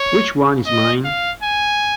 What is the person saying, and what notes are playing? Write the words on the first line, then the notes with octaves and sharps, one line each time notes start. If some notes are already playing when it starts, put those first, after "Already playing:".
Which one is mine?
Already playing: C#5
D#5
F5
G#5